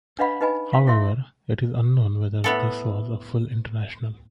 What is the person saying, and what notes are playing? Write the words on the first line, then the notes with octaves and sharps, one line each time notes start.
However, it is unknown whether this was a full international.
D4 B4 D#5 F5 F#5 B5
D#4 B4 D#5 G#5 B5
F5
E4 C#5 E5 C6
A2 B3 A4